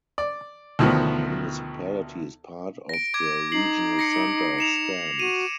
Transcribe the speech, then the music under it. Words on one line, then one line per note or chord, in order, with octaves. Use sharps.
The municipality is part of the regional center of Stans.
D5
D2 B2 D#3 F3 B3
A#6 D7
D6 G#6
D#4 C7 F#7
A#6 C7 C#7
C#7 E7 F7
F#4 D#7